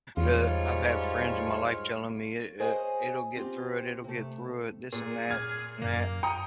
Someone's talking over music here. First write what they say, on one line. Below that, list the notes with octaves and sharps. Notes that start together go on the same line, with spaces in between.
the I've had friends in my life telling me, "I I It'll get through it, it'll get through it. This and that and that."
E2 G#2 G3 F4 C#5
G#4 C5 C#5 D#5 F#5 G#5
C4 F4 G4
C3 A3
A#2 G#4
F6 G#6
F#2 A#3
G5 A#5 D#6 C#7 D#7